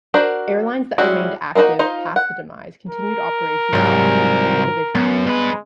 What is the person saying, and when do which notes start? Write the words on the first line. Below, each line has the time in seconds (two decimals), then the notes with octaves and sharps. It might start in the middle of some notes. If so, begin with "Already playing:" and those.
Airlines that remained active past the demise continued operations separately from the division.
0.14 D4 F#4 A#4 C5
0.98 G3 G#3 C#4 E4 F#4
1.55 A#3 C4 D#4 F#4 D#5
1.79 D#4 F4 C5
2.16 F#5
2.89 A#4
3.73 C2 G#2 F#3 G4
4.95 F#2 B3
5.27 G2 G#3 B4